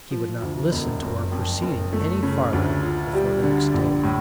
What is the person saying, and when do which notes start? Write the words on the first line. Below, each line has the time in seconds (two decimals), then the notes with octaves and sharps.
He would not listen to our proceeding any farther before the next day.
0.11 F3
0.42 D2
0.72 E1
1.03 F#1
1.32 F2
1.62 F#1
1.93 A3
2.23 C#3
2.53 D2
2.82 F4
3.13 G3
3.43 D3
3.74 A#1
4.03 A2